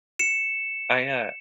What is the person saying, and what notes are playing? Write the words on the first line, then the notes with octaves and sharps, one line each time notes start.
I, uh
C#7 E7